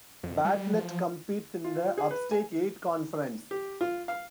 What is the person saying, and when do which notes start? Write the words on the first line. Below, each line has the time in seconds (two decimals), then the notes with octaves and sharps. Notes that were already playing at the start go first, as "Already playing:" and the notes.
Bartlett competes in the Upstate Eight Conference.
0.23 F2
0.45 G3
0.73 F3
1.64 F4
1.98 G#4
2.11 B4
2.31 G#5
3.51 G4
3.81 F4
4.08 F5